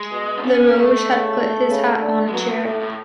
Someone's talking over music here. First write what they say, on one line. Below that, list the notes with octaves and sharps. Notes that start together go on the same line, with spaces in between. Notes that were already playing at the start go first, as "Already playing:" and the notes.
Lerouge had put his hat on a chair.
Already playing: G#3
B2
D4
C#4
A3
C#3
C#3
D3
G#3
F#3 B3
B2
A2 A3
A2